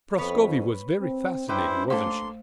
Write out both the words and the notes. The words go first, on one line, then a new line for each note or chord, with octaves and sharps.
"Prascovie was very fascinating, wasn't she?"
F2 B3 B4 C#5
C4
G2 C#4 E4 G4 B4 C5 G5
A3 A#3 D4 A4 C5 F5 C6